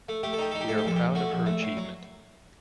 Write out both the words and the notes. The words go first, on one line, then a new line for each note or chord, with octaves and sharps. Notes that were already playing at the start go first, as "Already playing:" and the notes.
We are proud of her achievement.
A3
A3 G4
A4
D#4 G4
D#4 A4
G4
A2 A4
G4
A#1 A4
G4
A#1
A3 F#4
A#1
A3
A2
F#3